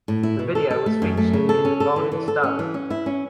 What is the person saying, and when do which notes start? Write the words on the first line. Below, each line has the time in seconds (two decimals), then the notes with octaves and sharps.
The video was featured in "Rolling Stone".
0.08 A2
0.23 E4
0.39 B2
0.55 A4
0.70 A4
0.86 A3
1.02 F#2
1.17 A3
1.33 C#3
1.49 A4
1.65 C#4
1.80 A4
1.96 E3
2.12 E3
2.28 A4
2.43 C#4
2.59 E3
2.74 C#4
2.90 E4
3.06 C#4